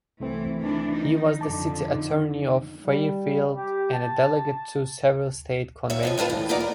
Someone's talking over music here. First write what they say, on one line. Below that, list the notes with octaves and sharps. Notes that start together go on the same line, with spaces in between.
He was the city attorney of Fairfield and a delegate to several State conventions.
C2 E3 A3 C4
D#3 E3 D4
D#4
F2 D3 A5 D6
D#4
G3
G4
A5
D#2 C#5 E5
F2 F3 D#5
D2 A2 F4 B4
A2 E3
F#2 B2 D#4 F4 B4 D5
A#4